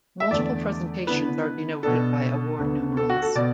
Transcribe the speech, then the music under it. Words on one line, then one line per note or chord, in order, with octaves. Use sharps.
Multiple presentations are denoted by award numerals.
E5
E2 D3 A3 D5
D3 B3 E4 B4
B2 B3 D4 A4
D2 D3 B3
A4
F#4
A4
B2 B3 D5